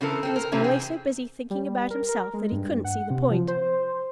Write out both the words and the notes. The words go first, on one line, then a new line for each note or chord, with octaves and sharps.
He was always so busy thinking about himself that he couldn't see the point.
C#3 E3 C4 E4 A4 A#4
C4 G#4 A4
A#4
C3 E3 C4 C#4 E4
C4 G#4
G3
A#4
A#4
G#3
G2
F#5
C3
F3
C5